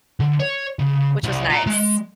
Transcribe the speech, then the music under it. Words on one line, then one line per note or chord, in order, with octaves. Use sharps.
which was nice.
D3
C#5
C#3
C2
F4 A#5
G#3